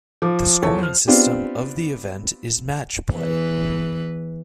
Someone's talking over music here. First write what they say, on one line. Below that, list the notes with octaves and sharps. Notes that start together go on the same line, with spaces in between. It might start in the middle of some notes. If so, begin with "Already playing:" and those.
The scoring system of the event is match play.
F3 D6
E2 A4 C#5
C5 F6
B3 C4 D4 F4 G4
E2 E3 B4